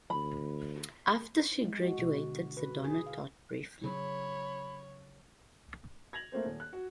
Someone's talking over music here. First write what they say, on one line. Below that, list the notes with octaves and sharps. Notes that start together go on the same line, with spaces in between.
After she graduated Sedona taught briefly.
D2 B5
G#3
F#4
B2
D3
B4
G#4
F5
C#3 F#3 C#5 B5
G#6 A#6 F7 F#7
A3 A#3 C4 C5
D#1
F#6
F#4